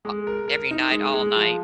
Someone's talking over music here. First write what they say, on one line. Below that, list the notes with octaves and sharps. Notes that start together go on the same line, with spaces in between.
a every night, all night.
G#3
A#4
A#4
D#4
G#3
G#3
F3